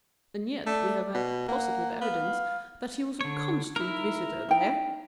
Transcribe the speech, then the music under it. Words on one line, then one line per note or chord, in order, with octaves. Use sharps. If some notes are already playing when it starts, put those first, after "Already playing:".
"And yet we have had positive evidence that he was a constant visitor there."
A3 D5
B2
A#3 F#5
B3 F5
D3 C#5
D#4 E4 A#4
D#4 G5